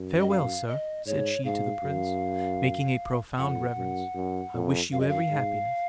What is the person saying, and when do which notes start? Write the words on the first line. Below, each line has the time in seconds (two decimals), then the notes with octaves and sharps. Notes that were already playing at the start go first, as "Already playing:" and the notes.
"Farewell, sir," said she to the prince, making a profound reverence, "I wish you every happiness."
Already playing: F#2
0.20 D#5
0.30 F5
0.68 D#5
1.06 G#2 C#5
1.45 G#2 F5
1.83 F#2
3.38 F2 F#5
3.77 F#2
4.15 F#2
4.54 F2
4.92 F#2 F5
5.00 D#5
5.09 F5
5.30 G#2